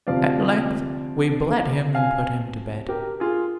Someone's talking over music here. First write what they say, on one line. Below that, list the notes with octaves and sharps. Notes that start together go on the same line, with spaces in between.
At length we bled him and put him to bed.
D2 C3 F3 D5 F5
F5 G#5
G4 A#4
F4 G#4